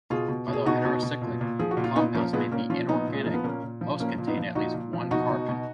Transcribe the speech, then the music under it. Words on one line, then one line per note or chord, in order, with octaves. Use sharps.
Although heterocyclic compounds may be inorganic, most contain at least one carbon.
B2 F4 G#4
B2
B2
G#4
B2 D#4 F#4
B2
B2
A#2
A#2
F3 G#4
F#4
A#2
F4
A#2 B3 D#4
F3 A#3 C#4
A#2 G#3 B3
A#2 A#3 C#4
F3 C#4 F4
A#2 B3 D#4
A#2
G#3
F3 A#3
B3
A#2 A#3 C#4
A#2
F3
A#2 A#3 C#4
A#2
B3 D#4
F3
A#2 D#4 F#4
A#2
F3
B2 D#4 F#4
B2
B2